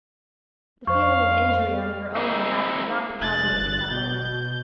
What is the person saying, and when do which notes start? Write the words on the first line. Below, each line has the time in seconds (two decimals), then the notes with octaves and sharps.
The feeling of injury on her own behalf could not predominate at that moment.
0.87 F2 C5 D#5 F5 C#6
2.16 C4 D#4 E4 G#4
3.21 F1 F#6 A6
3.59 G1
3.91 B2 G6